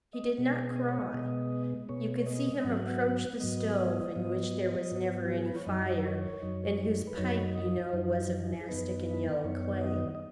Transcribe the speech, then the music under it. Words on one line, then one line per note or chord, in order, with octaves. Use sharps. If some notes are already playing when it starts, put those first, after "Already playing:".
He did not cry. You could see him approach the stove, in which there was never any fire, and whose pipe, you know, was of mastic and yellow clay.
D#5
B2 G#3 B3
D#5
C#5
D#5
B2 G#3 B3
B2 G#3 B3 C#5
C#5
D#5
D#5
G#2 F#3 B3 F#5
G#2 F#3 B3 D#5
G#2 F#3 B3
G#2 F#3 B3
F#4
G#4
B4
C#5
F#2 F#3 D#4 D#5
C#5
F#2 F#3 D#4
B4
F#2 F#3 D#4 C#5
D#5
F#2 F#3 D#4
G#4
F#2 D#3 B3 D#4 B4
B4
F#2 D#3 B3 D#4 C#5
F#5
D#5
D#5